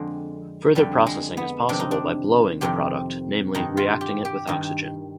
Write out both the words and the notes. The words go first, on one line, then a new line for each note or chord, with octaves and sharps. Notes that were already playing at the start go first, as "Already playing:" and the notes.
Further processing is possible by "blowing" the product: namely reacting it with oxygen.
Already playing: F2 D3 G#3
F2 D3 G3
G#3
B3
F2 C3 D#3 D4
D#4
D4
F2 C3 D#3 G4
G2 D#3 D#4
F4
G4
G4
G2 D#3